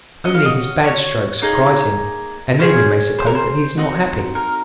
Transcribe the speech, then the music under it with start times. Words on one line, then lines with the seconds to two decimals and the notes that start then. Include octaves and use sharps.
Only his bad strokes surprise him, and then we may suppose that he is not happy.
0.25 C#4 F#4 D#5
0.34 F5
0.45 D#5
0.83 C#5
1.42 A#3 D#4 G#4
2.59 C#4 F4 G#4 C5
3.19 C5
3.27 A#4
3.35 C5
3.77 C4 D#4 F#4
4.35 A#4